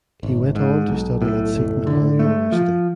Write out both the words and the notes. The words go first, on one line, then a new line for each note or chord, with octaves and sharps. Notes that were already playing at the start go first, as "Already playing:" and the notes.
He went on to study at Seton Hall University.
G#1
G#2
B1
A2
F#1
D3
A3
F3